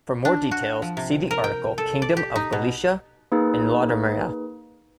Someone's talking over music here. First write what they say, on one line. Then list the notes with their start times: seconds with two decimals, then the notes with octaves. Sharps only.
For more details, see the article Kingdom of Galicia and Lodomeria.
0.25 D4
0.51 F#4
0.82 F3
0.97 C3
1.31 A#4
1.44 G5
1.78 A4
2.02 D5
2.17 G4
2.36 D#4
2.52 B2
3.32 A#3 D#4 G#4 B4